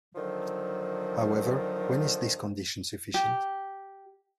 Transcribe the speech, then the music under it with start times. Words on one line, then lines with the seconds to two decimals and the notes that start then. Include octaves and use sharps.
However, when is this condition sufficient?
0.15 D3 D#3 F3 F#3
3.14 G4